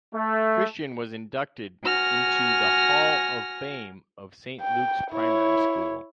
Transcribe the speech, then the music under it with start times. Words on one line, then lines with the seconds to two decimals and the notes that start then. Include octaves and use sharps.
Christian was inducted into the Hall of Fame of St Luke’s Primary School.
0.13 A3
1.83 F#4 G#5 F6 A#6
4.61 G5
5.11 E4 C#5